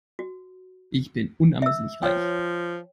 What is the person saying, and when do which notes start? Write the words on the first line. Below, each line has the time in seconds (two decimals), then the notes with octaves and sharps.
Ich bin unermesslich reich.
0.19 F#4
1.62 E5 E6
2.03 F3 C#5 G5